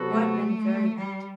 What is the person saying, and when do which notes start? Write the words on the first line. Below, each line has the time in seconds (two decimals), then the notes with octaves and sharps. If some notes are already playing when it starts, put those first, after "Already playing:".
White man very bad.
Already playing: C3 F#3 B3 F#4 A4
0.10 A3
0.97 G3